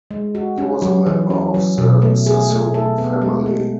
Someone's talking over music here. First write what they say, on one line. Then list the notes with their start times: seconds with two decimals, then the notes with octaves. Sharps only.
He was a member of the Sassoon family.
0.11 G#3
0.35 F#4
0.58 C#4
0.82 F#3
1.06 E3
1.30 C#4
1.54 F#3
1.78 B2
2.02 A3
2.26 G#4
2.50 A3
2.74 A4
2.98 B3
3.22 G#3
3.46 A3